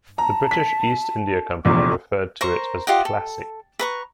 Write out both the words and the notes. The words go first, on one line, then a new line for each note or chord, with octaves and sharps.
The British East India Company referred to it as "Plassey".
A5 A#5
B6
F1 A#1 E2 D6
A#4 C5 A#5 C#6
F4 G4 D#5 F#5
A4
B4 A#5 C#6